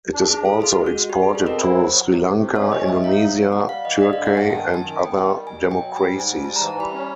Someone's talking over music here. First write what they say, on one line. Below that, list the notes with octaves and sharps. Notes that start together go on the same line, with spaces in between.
It is also exported to Sri Lanka, Indonesia, Turkey and other democracies.
D4
D4 G#4
A#2 A4
F4 G#4
G#3
F#4
G#3
G3 G4
G#4
B2
A4
C4 A#4
E4 C5
F#3
F#3
C3
C3
A3
C#4 C#5
F3 D#5
A2 E5
D#4 F5
F#3
B2
G3 F#5
G3 F5
E3 D#5
D5
D3 D#5
F5
G2
F#5
G2 G#5
D#3 A5
F#2
G#5
D#3
B3 G5
D#3
G3
B2 G#5
B2
G5
F#3
G3 G#5
G#2
G#5
G3
G#2 A5
A#5
E3
A#5
G3 B5
C#4